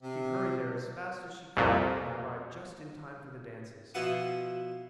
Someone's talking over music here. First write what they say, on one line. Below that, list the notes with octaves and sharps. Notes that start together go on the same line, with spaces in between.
She hurried there as fast as she could and arrived just in time for the dances.
C3
C2 F2 A#2
B2 F3 E4 B4 F#5 D#6